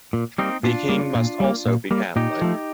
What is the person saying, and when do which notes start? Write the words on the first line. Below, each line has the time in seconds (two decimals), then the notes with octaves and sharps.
The king must also be Catholic.
0.13 A#2
0.38 G3 A#3 C4 D#4
0.63 A#2 D4 F4
0.89 G3 A#3
1.15 A#2
1.40 G3 A#3
1.66 A#2
1.91 G3 A#3
2.16 A#2 D#4 G4
2.42 F3 A3